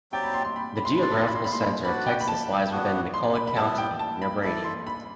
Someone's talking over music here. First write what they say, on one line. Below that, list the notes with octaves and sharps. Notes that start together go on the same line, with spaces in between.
The geographical center of Texas lies within McCulloch County, near Brady.
F#3 C4 G4 D5 G5
B5
C6
C6
B5
B5
C6
B5
D4 A4 D5 C6
B5
C6
B5
C6
B5
C6
B5
D4 F#4 B4 D5 B5
G5
B5
A5
B3 D4 F#4
C6
B5
B5
G3 B3 E4 A5
G5
A5
B5
E4 A4 D5 B5
C6
B5